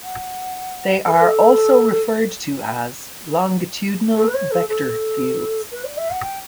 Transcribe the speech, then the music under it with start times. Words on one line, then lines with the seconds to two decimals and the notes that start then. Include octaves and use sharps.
They are also referred to as longitudinal vector fields.
0.03 F#5
1.06 A4
1.13 B4
1.21 A4
4.17 A4
4.27 B4
4.34 C#5
4.51 A4
4.68 A4
5.71 B4
5.84 D5
5.97 E5
6.10 F#5
6.22 G5